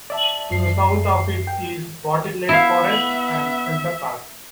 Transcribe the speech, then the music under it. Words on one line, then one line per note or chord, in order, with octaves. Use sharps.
To the south of it is Bottle Lake Forest and Spencer Park.
D5 E5 A5
F#2 C7
G5
B3 E4 E5 F5